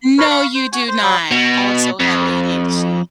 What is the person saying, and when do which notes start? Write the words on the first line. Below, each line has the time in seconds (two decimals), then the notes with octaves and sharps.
No, you do not also have ADHD.
0.18 A#4 B4 C#5
0.31 F5 B5 C#6
0.55 C5
0.72 F#4 G#5
0.88 C5
1.02 F#3 G3
1.31 B2
2.00 F2